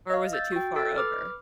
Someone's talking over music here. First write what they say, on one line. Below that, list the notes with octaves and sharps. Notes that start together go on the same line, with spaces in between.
Or was it too far over?
D#5 F5
E6 G6 A6
F#4 G5
A4 E6 A6
B4 D6 F6